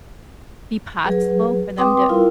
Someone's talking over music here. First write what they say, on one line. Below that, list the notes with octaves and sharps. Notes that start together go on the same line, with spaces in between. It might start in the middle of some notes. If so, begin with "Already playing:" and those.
be possible for them to
F#3 G#4 B4
C4 B4 G5 C6 D6 D#6
G3 E4 F4 A#4 F5